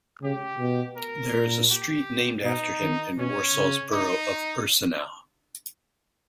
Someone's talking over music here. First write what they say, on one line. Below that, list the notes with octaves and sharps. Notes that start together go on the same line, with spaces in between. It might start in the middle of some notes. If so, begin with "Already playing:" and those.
There is a street named after him in Warsaw's borough of Ursynow.
C#3 G4
B2
A#4
A#2
G4
B2 D#4
D#3
B2 C#4
C#3
D#4